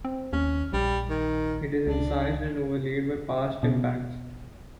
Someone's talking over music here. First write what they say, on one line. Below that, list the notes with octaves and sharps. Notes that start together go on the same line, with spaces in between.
It is incised and overlaid by past impacts.
C4
D#2 C#4
A#1 G3
D#3
C#2 D4
B2